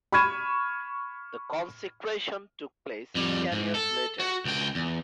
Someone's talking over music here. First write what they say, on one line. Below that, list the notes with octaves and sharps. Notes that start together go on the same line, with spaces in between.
The consecration took place ten years later.
B5 C#6 F6 G#6 D#7 E7
F2 G3
G#2
A4
F#4
C#2 G5
E2